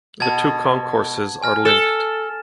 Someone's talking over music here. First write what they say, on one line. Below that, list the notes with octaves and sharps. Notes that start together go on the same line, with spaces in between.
The two concourses are linked.
B2 A5 G#6
G#5 F6 A#6
A4 E7